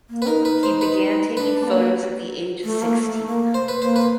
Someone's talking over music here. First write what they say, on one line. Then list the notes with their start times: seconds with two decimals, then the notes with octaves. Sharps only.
He began taking photos at the age of sixteen.
0.09 A#3
0.22 B4
0.27 D#4 A#4
0.45 B4
0.63 C5
0.81 B4
1.36 D4 B4
1.63 B3
1.67 A#3
2.64 A3
2.82 A#3
3.00 A3
3.27 A#3
3.54 C5
3.68 B4
3.82 A#3 C5
3.96 B4